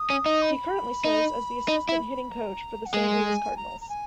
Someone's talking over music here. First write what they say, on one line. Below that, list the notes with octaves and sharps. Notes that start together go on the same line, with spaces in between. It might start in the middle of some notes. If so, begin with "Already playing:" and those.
He currently serves as the assistant hitting coach for the Saint Louis Cardinals.
Already playing: D#6
C#4
D#4
B5
D#4
D#4
E4
A#5
F#5
G#3 G#5
A#5
A#5
G#5